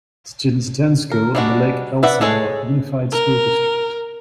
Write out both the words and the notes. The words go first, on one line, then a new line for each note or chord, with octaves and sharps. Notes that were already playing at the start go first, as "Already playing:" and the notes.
Students attend school in the Lake Elsinore Unified School District.
A#4
G3 G#3 D4 E4 F#4
B4 D5 E5 F#5
G#3 G#4 A4 C#5
A#4